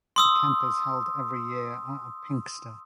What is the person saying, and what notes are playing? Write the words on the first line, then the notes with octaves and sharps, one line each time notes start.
The camp is held every year at Pinkster.
C6 D#6 E6